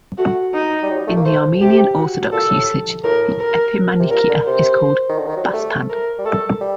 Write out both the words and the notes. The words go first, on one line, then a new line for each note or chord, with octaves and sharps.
In the Armenian Orthodox usage, the epimanikia is called "baspan".
A3 F#4
D#4
G3
F#3
G3
A3
A#3
A3 C5
C3 G4
F#4
A#2 A4
A2
A2 A#4
A#4
C3
A#2 A#4
D3
C3 C5
D#3
D3
D#3
F#3
G3
A3
A#4
G3
A3 A4
G3